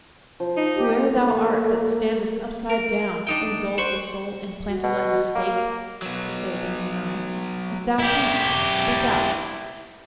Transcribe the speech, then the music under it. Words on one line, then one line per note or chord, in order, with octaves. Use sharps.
"Whoe'er thou art, that standest upside down, O doleful soul, implanted like a stake," To say began I, "if thou canst, speak out."
F3
D#4
G4
A3 A#3
A#4
D4 D#4 G5
C5 F#5 B5 C#6
F#4
B2
A#3
F#3 B3
E4 G4